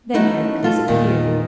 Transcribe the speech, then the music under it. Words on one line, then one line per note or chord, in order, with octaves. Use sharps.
Then Heracles appeared.
A3 B3 C#4 D#4 E4 F#4
A3 F4 A4
E2 A#2 D#3 G3